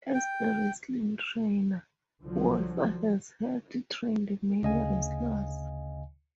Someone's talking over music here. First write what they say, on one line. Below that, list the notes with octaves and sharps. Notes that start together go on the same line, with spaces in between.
As a wrestling trainer Wolfe has helped trained many wrestlers.
G5
C2 D3 F3 F#3
D2 C#3 D#5 F5 G#5